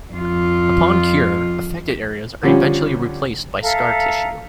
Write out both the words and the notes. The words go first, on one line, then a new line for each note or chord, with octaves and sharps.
Upon cure, affected areas are eventually replaced by scar tissue.
F2 F4
D3 F3 G3 C#4
A4 E5 F5 A#5